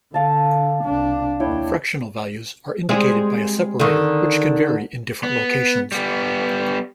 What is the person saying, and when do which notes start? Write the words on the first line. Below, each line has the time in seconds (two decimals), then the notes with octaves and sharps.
Fractional values are indicated by a separator, which can vary in different locations.
0.14 D3 F5 A5
0.84 C2 D4
1.40 D#2 D4 E4 C#5 G5
2.89 G3 G#3 C4
3.80 D3 D#3
5.23 B3
5.92 G3 B3